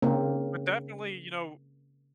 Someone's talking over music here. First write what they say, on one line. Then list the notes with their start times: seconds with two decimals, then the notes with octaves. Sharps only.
but, definitely, you know,
0.02 C#3 A#3 C4